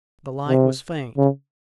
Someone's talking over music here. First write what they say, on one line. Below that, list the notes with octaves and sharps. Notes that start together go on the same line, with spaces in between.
The light was faint.
C3
C#3